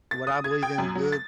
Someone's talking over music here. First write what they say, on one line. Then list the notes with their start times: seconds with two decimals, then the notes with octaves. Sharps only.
What I believe in is good
0.11 A6
0.27 D#6
0.44 G#6
0.63 G5
0.78 F#2
0.95 F#3
1.12 A6